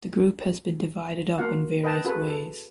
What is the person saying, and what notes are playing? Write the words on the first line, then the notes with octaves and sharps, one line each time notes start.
The group has been divided up in various ways.
A#3 F4 F#4 F5 F#5
B4 D#5 G5 A5
F4 F#4 G#4 A4 B4
A4